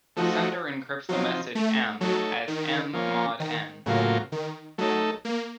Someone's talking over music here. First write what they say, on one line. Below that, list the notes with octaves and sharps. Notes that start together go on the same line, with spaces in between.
The sender encrypts the message "m" as "m" mod "N".
F3 A3 D#4 F#4
F3 F#3 C4 D#4
A3
F#3 A3 D#4 A4 C#5
D#3
F3 A#3 C#4
D#3
A2 C#3 F#3 A#3 F4
D#3
F#3 A3 D#4 A4
A#3